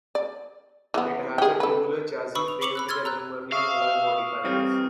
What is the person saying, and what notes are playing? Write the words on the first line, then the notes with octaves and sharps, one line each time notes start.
It has a tubular chassis frame with aluminium alloy body panels.
D5
E3 A#3 B3
G4 G#4
A4 B4
B4 B5 C#6 D#6 E6
F7
B5 C#6 D6 C#7 F7 F#7
B5 E6 F#6
C6 E6 F6 G#6 A6
A#5 E6 F#6
E5 F5 C#6 D#6
E3 G3 C4 D#6 F6